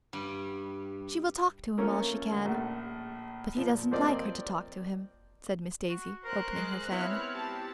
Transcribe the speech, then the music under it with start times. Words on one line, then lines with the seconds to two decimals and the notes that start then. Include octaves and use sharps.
"She will talk to him all she can; but he doesn't like her to talk to him," said Miss Daisy, opening her fan.
0.13 G2 G3
1.78 F3 A3 A#3 C#4 A4 A#4
2.31 D2
2.45 A#1 A3 F#5
3.57 A#2 F3
3.91 F3 A#3 C4 C5 D5 D#5
5.90 F#4
6.24 A#4 C5 C6 F#6
6.57 G#3
6.91 B3 C4 E4 C#5 B5 F6 F#6
7.34 G4 A5 A6